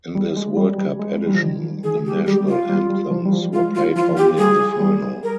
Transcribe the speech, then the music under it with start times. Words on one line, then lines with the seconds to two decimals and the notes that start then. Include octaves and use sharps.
In this World Cup edition, the national anthems were played only in the final.
0.15 G3
0.37 G#3
0.57 G3
0.78 G3
0.99 G#3
1.26 G3
1.35 F3
1.42 D#3
1.84 D#3 G#4
2.06 G4
2.13 G3
2.20 G#3
2.27 G3 G4
2.41 G3
2.48 F4
2.69 G3
2.90 G3
3.11 F3
3.26 G3
3.33 F3
3.53 G#3 F4
3.75 F4
3.96 F3 F4
4.17 G4
4.38 G3 G#4
4.80 G3
5.23 A#4